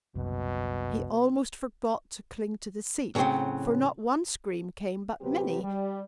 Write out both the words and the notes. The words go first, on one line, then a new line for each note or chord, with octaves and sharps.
He almost forgot to cling to the seat. For not one scream came but many.
F#1 C2 F#2 B2
A2 C#3 E3 F#3 C4
D2 C3 F#3 C4 G4 B4
G3